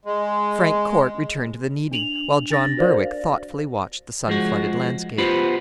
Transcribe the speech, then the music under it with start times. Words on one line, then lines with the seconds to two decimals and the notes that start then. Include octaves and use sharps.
Frank Corte returned to the kneading, while John Berwick thoughtfully watched the sun-flooded landscape.
0.05 G#3
1.91 D4 F7 F#7
2.50 D4 A6 A#6
2.77 F#4 A#4 C5 D5 F5
4.28 F3 G#3 F#4
5.18 B3 F4 G4 B4 C5 B5